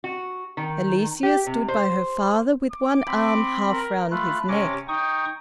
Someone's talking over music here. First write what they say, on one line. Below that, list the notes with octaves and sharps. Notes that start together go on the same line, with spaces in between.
Alicia stood by her father, with one arm half round his neck.
F#4
D#3
G4
C3
C5
D6
C4 B5
A#4
A3 F4 B5 F#6
C3 C#4 D6 A#6
D#4 G5 C#6 D#6